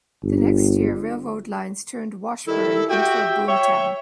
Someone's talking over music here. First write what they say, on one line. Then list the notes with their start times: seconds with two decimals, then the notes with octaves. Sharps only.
The next year, railroad lines turned Washburn into a boom town.
0.24 G1
2.47 D#3 G3 E4 A4
2.89 F#4 G4 E5 G5
3.48 C#5 E5 G5